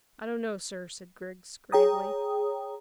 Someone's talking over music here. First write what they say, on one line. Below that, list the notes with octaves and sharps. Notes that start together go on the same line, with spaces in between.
"I don't know, sir," said Griggs gravely.
G#4 C#5 G5 A#5 D#6